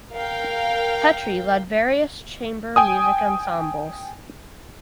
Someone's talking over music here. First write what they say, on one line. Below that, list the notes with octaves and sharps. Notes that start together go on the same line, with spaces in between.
Petri led various chamber music ensembles.
A#4 F5 G5
G5 G#5 D#6